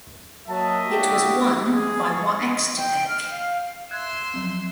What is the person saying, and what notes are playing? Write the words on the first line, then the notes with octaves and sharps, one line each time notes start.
It was won by Oaxtepec.
F#3 A#3 D#5 E5 F#5 A5
D4 E4 F#4 G4
G#4
C#6
D#5
G5
F6
F5
E5 C6 F#6 G#6
F3 F#3 C4